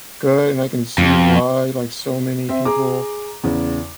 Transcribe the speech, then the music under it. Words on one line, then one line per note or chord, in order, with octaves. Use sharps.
good and I can see why, like, so many people
F2
C4 E5
G#4 A#5 D6
E2 C#3